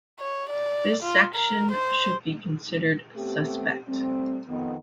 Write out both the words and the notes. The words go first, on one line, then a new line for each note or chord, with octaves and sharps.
This section should be considered suspect.
C#5
D5
F4
A#4
C5
A3 B3 C4 G4
G3 A3 C4
F2 D#3 B3